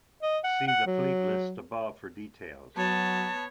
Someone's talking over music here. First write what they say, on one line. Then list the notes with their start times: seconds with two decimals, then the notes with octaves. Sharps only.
See the Fleet List above for details.
0.22 D#5
0.44 F#5
0.67 F#5
0.87 F#3
2.76 F#3 B3 C#5 A5